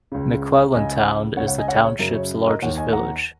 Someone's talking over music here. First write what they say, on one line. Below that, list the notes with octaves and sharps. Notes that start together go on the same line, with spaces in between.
McClellandtown is the township's largest village.
C#2 C#3
C#2 C#3 D#5 G#5
C#2 C#3 C#5 F#5
C#5 F#5
D#5 G#5
C#5 F#5
C#5
F#2 C#3 A#4
C#5
A#4 D#5
D#2 D#3 C#5 F#5
D#5 G#5
F#5 A#5